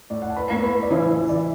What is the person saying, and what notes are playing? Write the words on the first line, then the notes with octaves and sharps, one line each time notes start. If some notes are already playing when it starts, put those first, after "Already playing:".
And it closed.
A2 D5
F#5
A5
B4 B5
A2
B4 B5
D5
E3 E4 E5
E3 D5
E5